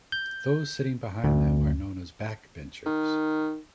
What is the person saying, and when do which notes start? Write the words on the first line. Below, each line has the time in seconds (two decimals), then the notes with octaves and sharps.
Those sitting behind them are known as backbenchers.
0.12 G6
1.24 D2
2.86 D#3